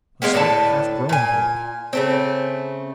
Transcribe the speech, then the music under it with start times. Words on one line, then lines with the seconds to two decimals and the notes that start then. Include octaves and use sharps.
A slight, half grown boy.
0.22 D#3 G#3 A#3 B3
0.33 A2 D3 B4 A5
1.09 A#2 G#5
1.93 C#3 A3 C4